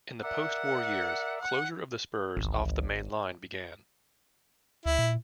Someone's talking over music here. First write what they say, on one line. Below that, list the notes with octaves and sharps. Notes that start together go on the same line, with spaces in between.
In the post-war years, closure of the spurs off the main line began.
A#4 D5 E5 F#5
F#5
G#1 C#2 E3
D2 E4
A#2